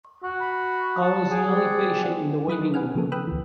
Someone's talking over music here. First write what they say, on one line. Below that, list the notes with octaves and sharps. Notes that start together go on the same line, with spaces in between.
I was the only patient in the waiting room.
F#4
B5
F#5 A5
G#4
C4 D5 F#5
F#3 B5 D#6 F#6
D#4
B4 F#5 G#5 F6
C#3 F3 A#3 G#4 A4
B4 G5 B5 D#6 E6 F#6
D2 E3